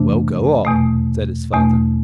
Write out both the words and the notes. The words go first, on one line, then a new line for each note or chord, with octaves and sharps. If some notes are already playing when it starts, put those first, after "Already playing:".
"Well, go on," said his father.
Already playing: F2 C3 E3 A3 D4
E2 B2 A3
E2 B2 A3 D4